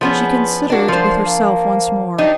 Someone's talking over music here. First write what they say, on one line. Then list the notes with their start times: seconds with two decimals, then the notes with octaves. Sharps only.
She considered with herself once more.
0.01 E2 F3 B3 C#4
0.70 A#2 D4 F#4
0.88 F3 C5
1.26 A#3
2.18 C3 D4 D#4